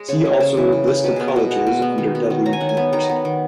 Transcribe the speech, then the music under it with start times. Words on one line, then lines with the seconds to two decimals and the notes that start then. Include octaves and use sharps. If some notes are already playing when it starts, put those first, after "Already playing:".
"See also List of colleges under Delhi University".
Already playing: G#3 D#5
0.09 C#3 C#5
0.25 A#3
0.41 C#3
0.57 E3
0.72 C#3
0.87 A#3
1.04 B2 B4
1.16 B3 G#4
1.28 A#4
1.36 B2 B4
1.51 G#3 F#5
1.67 B2
1.82 B3
1.98 D#3
2.15 B3
2.30 D#3
2.46 F#3 A#5
2.53 G#5
2.61 D#3 F#5
2.69 G#5
2.77 B3
2.93 D#3 A#5
3.10 B3
3.25 D#3